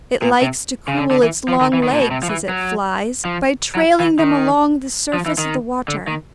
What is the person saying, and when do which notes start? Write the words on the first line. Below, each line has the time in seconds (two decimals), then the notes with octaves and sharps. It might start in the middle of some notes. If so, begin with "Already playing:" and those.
It likes to cool its long legs, as it flies, by trailing them along the surface of the water.
0.22 A#2
0.42 C3
0.88 C#3
0.98 D3
1.11 D3
1.23 E3
1.48 F3
1.61 D#3
1.73 E3
1.83 D#3
1.92 A#2
2.02 B2
2.11 C3
2.23 F3
2.30 E3
2.49 F#3
3.25 F3
3.75 F#3
4.00 E3
4.19 D#3
5.13 F3
5.26 E3
5.38 D#3
5.88 D3
6.07 D#3